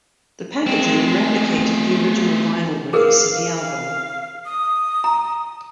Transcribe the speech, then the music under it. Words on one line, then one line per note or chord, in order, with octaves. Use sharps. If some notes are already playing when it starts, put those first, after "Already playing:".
The packaging replicated the original vinyl release of the album.
A3 C4 G#4
G#4 A#4 B4 F5
F5
D#6
A#5